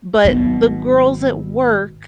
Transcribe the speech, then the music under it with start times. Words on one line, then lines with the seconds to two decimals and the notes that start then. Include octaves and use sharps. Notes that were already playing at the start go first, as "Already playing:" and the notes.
But the girls at work
0.25 G#1 B2 F#3 B3